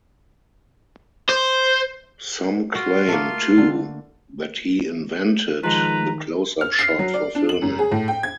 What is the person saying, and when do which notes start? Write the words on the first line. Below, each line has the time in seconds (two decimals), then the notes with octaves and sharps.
Some claim, too, that he "invented" the close-up shot for filming.
1.29 C5
2.75 F4 F#4
3.08 A3 A#3
3.58 D3
5.63 D#3 F3 G#3 B4 A#5
6.61 F6
6.79 C7
6.99 F#3
7.14 D5
7.35 D4
7.49 F#7
7.62 F#2
7.79 G#4
7.92 A2
8.08 G5
8.23 G#6